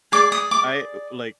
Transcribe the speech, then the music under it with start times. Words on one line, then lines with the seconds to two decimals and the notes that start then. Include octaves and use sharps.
I, uh, like,
0.12 G#4 D5 D6
0.32 D#6
0.51 D6